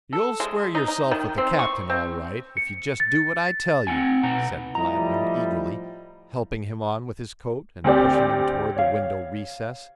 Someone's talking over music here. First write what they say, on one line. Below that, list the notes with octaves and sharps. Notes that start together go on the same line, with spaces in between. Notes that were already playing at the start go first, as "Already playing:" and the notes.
"You'll square yourself with the captain all right if you just do what I tell you," said Gladwin eagerly, helping him on with his coat and pushing him toward the window recess.
A4
G#3
D#4
D#4
D#3
C4
C#6
C4
C#7
A6
C4 F#5 G#5
B2 F#5 A#5
A2 F3 G3 E4 D#5 A#5
D2 C4 G4 D5
C#5 F5